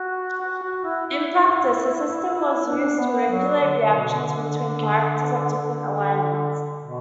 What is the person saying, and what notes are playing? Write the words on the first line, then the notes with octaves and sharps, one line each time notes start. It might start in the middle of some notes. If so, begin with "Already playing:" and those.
In practice the system was used to regulate reactions between characters of different alignments.
Already playing: F#4
F#4
F#4
E4
E4
E4
D4
B3
F#3
D3
D3
B2
D3
D3
D3
D3
B2